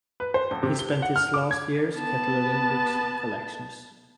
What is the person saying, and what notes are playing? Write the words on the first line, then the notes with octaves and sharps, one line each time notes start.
He spent his last years cataloging book collections.
B4
C5
D#1
C3
G7
F#5
F6
D6
G#6
B3 A5